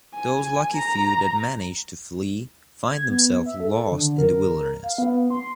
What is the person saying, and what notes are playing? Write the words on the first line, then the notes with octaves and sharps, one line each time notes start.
Those lucky few that manage to flee find themselves lost in the wilderness.
G#5
A#5
G#6
B3
E5
A4
D3
A#4
F5
B3
C6